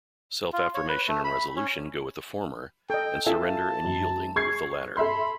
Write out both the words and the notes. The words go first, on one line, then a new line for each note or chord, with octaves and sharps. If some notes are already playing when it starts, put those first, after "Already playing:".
Self-affirmation and resolution go with the former and surrender and yielding with the latter.
F4
C#5
B4
A3
B5
C#4
A4 D#5 G5
F4 A4 E5 G#5 A5
F#2
G#4 C#6 G#6 C7
A4 E5 B5 C6